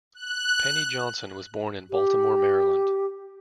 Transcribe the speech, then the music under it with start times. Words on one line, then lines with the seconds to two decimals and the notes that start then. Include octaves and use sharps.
Penny Johnson was born in Baltimore, Maryland.
0.14 F#6
1.91 G4